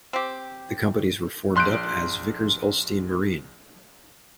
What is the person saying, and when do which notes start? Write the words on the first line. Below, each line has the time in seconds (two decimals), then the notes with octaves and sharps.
The companies were formed up as Vickers Ulstein Marine.
0.13 C4 G4
1.55 A#1 C6 F#6 G6 D7